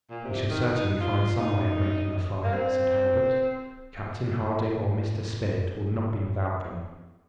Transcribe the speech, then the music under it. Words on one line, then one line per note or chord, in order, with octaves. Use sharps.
"We shall certainly find some way of making a fire," said Herbert. "Captain Harding or Mr. Spilett will not be without them."
A#2
C3
D#3
D#4
F4
D#4
A#3
C4